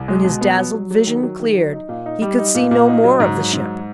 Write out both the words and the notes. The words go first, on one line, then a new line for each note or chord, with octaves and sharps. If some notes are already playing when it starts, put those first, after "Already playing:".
When his dazzled vision cleared, he could see no more of the ship.
Already playing: C2
G#3
B2
B3
F#3
F#3
F#3
D#3
F#3
D#3
F#3
D#4
A#2
D#4
G3
D#4
A#2
A#2
D#4
F#3
G#2
F#3
G#2